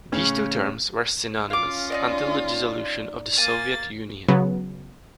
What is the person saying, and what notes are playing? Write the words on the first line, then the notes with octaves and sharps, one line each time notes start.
These two terms were synonymous until the dissolution of the Soviet Union.
A2 C#3 C#4
C#4 F4 F5 D6
D#4 D5 D#5
A#3 G#5 A6
C#3 F#3 B3